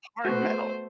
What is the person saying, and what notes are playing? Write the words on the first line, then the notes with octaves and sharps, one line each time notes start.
hard metal.
A3 B3 F#4 C5